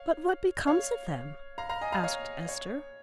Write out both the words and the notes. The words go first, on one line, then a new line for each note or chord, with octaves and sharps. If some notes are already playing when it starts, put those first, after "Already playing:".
"But what becomes of them?" asked Esther.
Already playing: C#5 F5
C#5 F5
F5 A#5
F5 A#5
D#5 G#5
F5 A#5
C#5 F5
C#5